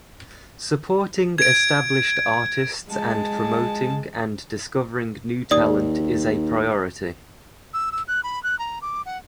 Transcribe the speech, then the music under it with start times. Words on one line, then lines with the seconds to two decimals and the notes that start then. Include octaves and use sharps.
Supporting established artists and promoting and discovering new talent is a priority.
1.38 G#6 D7
2.89 G#3 A5
5.51 D#2 D5 D#6
7.74 E6
7.92 E6
8.08 F#6
8.24 B5
8.43 F#6
8.59 A#5
8.82 D6
9.06 F#5